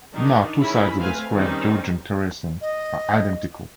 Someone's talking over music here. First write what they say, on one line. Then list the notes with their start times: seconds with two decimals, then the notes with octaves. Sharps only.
No two sides of the square's Georgian terracing are identical.
0.13 D#3 D4 D#4
0.60 D#3 C#4 E4 G#4 B5
0.98 A3 C4 B4 F5 G#5
1.33 D#3 G3 C4 C#4 D#4
2.61 D#5